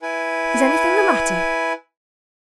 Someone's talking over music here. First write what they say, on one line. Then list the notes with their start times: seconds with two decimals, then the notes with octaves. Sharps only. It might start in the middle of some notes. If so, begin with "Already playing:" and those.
Is anything the matter?'
0.02 E4 B4 G#5